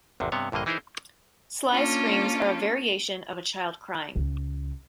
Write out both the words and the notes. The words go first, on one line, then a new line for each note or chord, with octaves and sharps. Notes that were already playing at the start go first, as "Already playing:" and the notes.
Sly's screams are a variation of a child crying.
G#1 E2 C3
G2 C3 B3 C#5
A#1 G2 D3 A#3 D#5
E3 D#4 E4 G#4 A#4 C5
A#3 C#4 D4 F4 A4
C#2